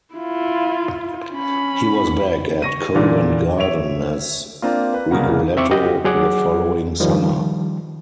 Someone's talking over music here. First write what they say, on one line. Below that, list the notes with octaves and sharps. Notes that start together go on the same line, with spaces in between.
He was back at Covent Garden as Rigoletto the following summer.
E4 F4
C#4 B5
C#6 A#6 D#7
A#2 D3 E3
C#5 E5 D7 F7
A#3 C4 D4 F4
B4
C2 C#3 A#3 F#5
C4 E5 C#6 D6
F#4 G4 D#5
F#3 G#4 F#5 D6
D#3 F3 G3